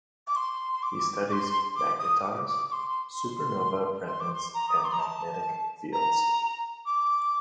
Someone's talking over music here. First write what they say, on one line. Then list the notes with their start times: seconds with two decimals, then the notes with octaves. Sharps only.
He studies magnetars, supernova remnants and magnetic fields.
0.27 D6
0.35 C6
0.73 C6
0.82 D6
1.28 D6
1.32 C6
1.75 D6
1.98 D#6
2.21 D6
2.45 D6
2.68 D6
2.72 C6
3.14 C6
4.06 C6
4.20 D6
4.33 C6
4.53 A#5
4.68 D#6
4.76 D6
4.84 C6
4.92 A#5
4.99 A5
5.92 A#5
6.85 D6